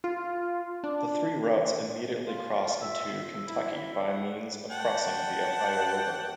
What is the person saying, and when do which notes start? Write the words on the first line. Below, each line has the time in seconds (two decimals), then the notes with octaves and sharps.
The three routes immediately cross into Kentucky by means of crossing the Ohio River.
0.04 F4
0.84 D4
2.26 F4
2.81 E5
3.47 E4
4.08 F#5
4.70 F#5 G5 A5